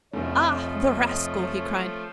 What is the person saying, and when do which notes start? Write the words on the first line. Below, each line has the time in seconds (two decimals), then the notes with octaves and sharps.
"Ah, the rascal!" he cried.
0.14 F1 F3 A3 C#5 D#5